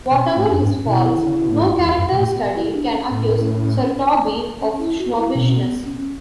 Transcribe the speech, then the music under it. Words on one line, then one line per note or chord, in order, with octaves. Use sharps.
Whatever his faults, no character study can accuse Sir Toby of snobbishness.
B2 C#4
C#4
A2
F#2 D4
G#2
C#4
B2 E4
D3
C#3
B2
A2
G#2
E2
F#2
B2
A2
B2
E4
D4
C#4
A2
C#4
E4
F#4
E4
B2 C#4
B3
C#4